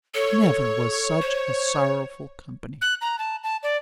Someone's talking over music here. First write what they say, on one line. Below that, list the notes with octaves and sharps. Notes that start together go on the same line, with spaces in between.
Never was such a sorrowful company.
A4 C#5
C5
F#6
A#5
A5
A5
D5